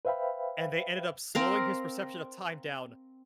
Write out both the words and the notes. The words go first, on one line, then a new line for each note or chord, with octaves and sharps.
and they ended up slowing his perception of time down
B4 C5 E5 F5 G5 B5
C4 A#4 F5